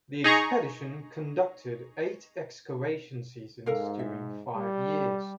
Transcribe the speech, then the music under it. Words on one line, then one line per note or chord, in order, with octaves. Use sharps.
The expedition conducted eight excavation seasons during five years.
D#4 G#4 A#5 C#6
G#2 A4 A#4 F5
E5
G3